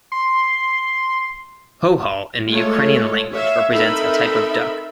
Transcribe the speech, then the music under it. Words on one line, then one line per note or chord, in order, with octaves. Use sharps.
Hohol in the Ukrainian language represents a type of duck.
C6
G#3 A3 F4 A4 C#5
C#5 E5 F5
C4 D#4 A4 A#4 E5 B5